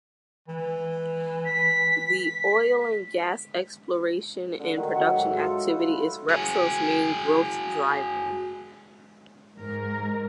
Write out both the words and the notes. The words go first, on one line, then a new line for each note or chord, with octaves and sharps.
The oil and gas exploration and production activity is Repsol's main growth driver.
E3
B6
D3
D#3 F#3
C#5 E5 F#5 G5
G#2
D#4 F4 A4
F4 B4 E5
F#4 G#4
G#2 A#4